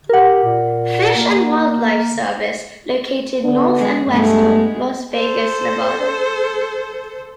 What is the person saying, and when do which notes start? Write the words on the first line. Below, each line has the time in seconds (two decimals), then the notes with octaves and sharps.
Fish and Wildlife Service, located north and west of Las Vegas, Nevada.
0.09 G4 A#4 F#5
0.44 A#2
1.17 A#3
3.43 D3 B3 D4
3.79 G#3
4.08 G2 G#3 A3 B3
5.13 A4 C5